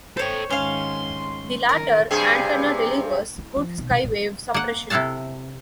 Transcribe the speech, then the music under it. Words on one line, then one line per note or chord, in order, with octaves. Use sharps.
The latter antenna delivers good skywave suppression.
A4 C5 C#5 G5
G#2 D#3 C#4 F5 C6
D#3 A#4
G2 C3 G#4
E4
F3
B1
C3
A1
A#3 F#5
C3 E4 A4 F5 F#5 A5